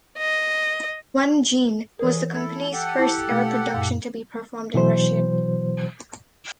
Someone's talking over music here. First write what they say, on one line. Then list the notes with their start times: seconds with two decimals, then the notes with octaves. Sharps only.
"Onegin" was the company's first ever production to be performed in Russian.
0.18 D#5
1.99 C3 E3 G#4 A#4
2.35 E4 A4 G#6
2.73 G4 A4 F#5
2.99 E4 A5
3.30 B2 A3 F5
3.72 F#2 A#2 F5
4.74 B2 E3 F#3 C5